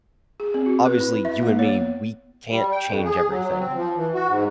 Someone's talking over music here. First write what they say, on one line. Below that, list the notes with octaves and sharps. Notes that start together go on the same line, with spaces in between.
Obviously, you and me, we can't change everything,
G#4
C4
F#4
B4
E4
E5
A#3
C#5
B3
G3
G5
F2
G#4
F#3
F#3
C4
F3
E3
F#4
G#2